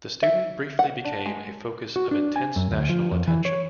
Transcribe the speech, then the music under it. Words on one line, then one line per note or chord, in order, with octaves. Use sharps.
The student briefly became a focus of intense national attention.
E5
F#5
D4
G#3
F#4
D4
G#5
F#2
D2
F3
F2
E3
C#5